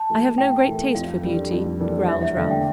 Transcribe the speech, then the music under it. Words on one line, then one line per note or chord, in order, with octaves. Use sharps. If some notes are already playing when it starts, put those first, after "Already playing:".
'I have no great taste for beauty,' growled Ralph.
Already playing: A5
E3 A3 E4 A4
A2 G5
E3 A3 E4 A4
F2 F5
E3 G3 D4 A4
F2
E3 G3 D4 A4
E2 E5
E5
D3 A3 D4 F5
G5